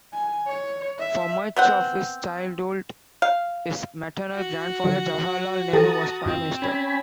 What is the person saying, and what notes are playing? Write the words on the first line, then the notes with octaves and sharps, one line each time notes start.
For much of his childhood, his maternal grandfather Jawaharlal Nehru was Prime Minister.
G#5
C#5
E5
B3 C4 F#5
F5
F#4 F#5
D3 F3 F#3
E3 G4 A4 A5 A#5 D#6
F#2 C4 F4
C#4 G#5 B5